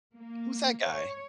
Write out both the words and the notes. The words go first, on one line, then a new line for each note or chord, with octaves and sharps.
"Who's that guy?"
A#3
C#5